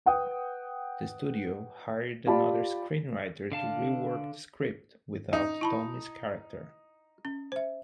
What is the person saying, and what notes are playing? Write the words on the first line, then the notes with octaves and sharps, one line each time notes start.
The studio hired another screenwriter to rework the script without Tomei's character.
B4 F#5 G5 D#6
F4 G4 D5 A5 B5
D3 F5 A5
D#4
E4 A5 B5
C#4
C5 E5